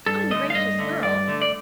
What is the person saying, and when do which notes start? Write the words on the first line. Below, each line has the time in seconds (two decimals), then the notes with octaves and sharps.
Ungracious girl!
0.06 G2 A4
0.31 D3 A3 D#5
0.50 F5
0.55 G2 D#5
0.79 D3 A3
1.03 G2 D5
1.28 D3 A3
1.42 D5